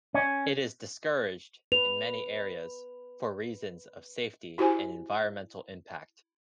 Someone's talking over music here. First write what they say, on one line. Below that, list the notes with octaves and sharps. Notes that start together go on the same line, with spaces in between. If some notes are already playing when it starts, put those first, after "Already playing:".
It is discouraged in many areas, for reasons of safety and environmental impact.
C#4
B4 F7
E4 F#4 G4 C5 G#5